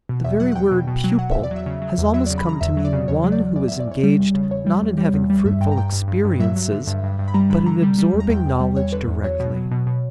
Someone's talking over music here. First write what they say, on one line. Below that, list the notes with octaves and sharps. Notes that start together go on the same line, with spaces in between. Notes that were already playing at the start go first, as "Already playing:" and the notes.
The very word pupil has almost come to mean one who is engaged not in having fruitful experiences but in absorbing knowledge directly.
B2
E2 E5
F#3 F#5
F#5
E2 G5
B2
B2
F#3
F#3 F#5
E2 E5
D5
F#3
E5
C#3
F#3
E2
F#3 E5
C#3 D5
B5
C#3 A#5
E2 E5
F#3
D5
C#3
E2 C#5
F#3
D5
E2
E2 D5
E2 E5
D5
E2 C#5
G3
E2
C#3
E2 C#5
G3
E2
G3
E2
G3
G2 E5
G2 G5
A#5
G2 G5
G2
G2
G2
F#3 E5
F#3
D3
G2
G2
G2
B5
G3 A#5
D3 B5
D3 A#5
G3
G3
E2
A#5
E2 G5
E2
G3
E2 C#5
D3 B4
E2
F#3 C#5
B2
F#3
B2
B2